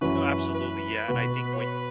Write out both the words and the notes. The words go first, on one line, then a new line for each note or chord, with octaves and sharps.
no, absolutely, yeah, and I think when
F#2 E3 C#4 F#4 B4
B4
B2 B3 F#4
C#5
B4